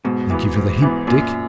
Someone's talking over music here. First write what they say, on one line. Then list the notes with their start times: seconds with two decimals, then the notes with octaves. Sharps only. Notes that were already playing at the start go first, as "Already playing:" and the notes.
Thank you for the hint, Dick.'
0.05 G#2 B2
0.30 E3 B3
0.56 G#2
0.82 E3 B3
1.07 F#2 A#2